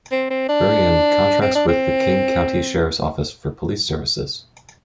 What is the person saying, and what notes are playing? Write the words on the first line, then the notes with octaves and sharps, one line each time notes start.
Burien contracts with the King County Sheriff's Office for police services.
C4
C4
D4
C4
D4
C4